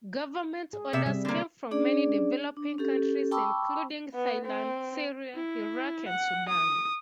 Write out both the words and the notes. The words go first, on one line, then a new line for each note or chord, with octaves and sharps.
Government orders came from many developing countries including Thailand, Syria, Iraq and Sudan.
G#4
C3 E5
C3 G3 E5
D3 A#3
C#4 D4 G#4 D5
D4
C#4 G4 A4
G5 A5 B5 C#6 D6 E6
B3
C4
E4
F#5
D#6